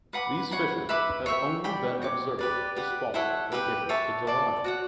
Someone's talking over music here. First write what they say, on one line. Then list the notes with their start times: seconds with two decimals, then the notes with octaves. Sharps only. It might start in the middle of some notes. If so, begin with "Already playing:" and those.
These fishes have only been observed to spawn from April to July.
0.13 B4 F#5 B5 D6
0.51 C#5 F#5 B5
0.89 B4 E5 B5 D6
1.26 C#5 E5 G5
1.64 D5 G5 B5
2.02 F#4 C#5 G5 D6
2.39 G4 B4 D5
2.76 G4 B4 F#5
3.14 E4 A4 C#5 F#5
3.52 G4 B4 E5 G5
3.89 C#5 E5 A5
4.27 A4 D5 A5 D6
4.64 F#4 C#5 F#5